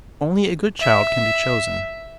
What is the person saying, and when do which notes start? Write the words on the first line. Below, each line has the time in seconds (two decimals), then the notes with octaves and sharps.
Only a good child can be chosen.
0.80 E5